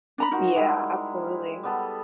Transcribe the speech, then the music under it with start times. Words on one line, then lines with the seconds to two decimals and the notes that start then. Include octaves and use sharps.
Yeah, absolutely.
0.18 D4 A#5 B5
0.32 D#4 F4 F#4 A#4
0.56 G3 G#3 E4
1.63 G3 B3 A4